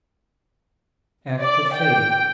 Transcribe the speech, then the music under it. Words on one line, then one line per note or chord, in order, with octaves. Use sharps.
Act of Faith.
D5
G5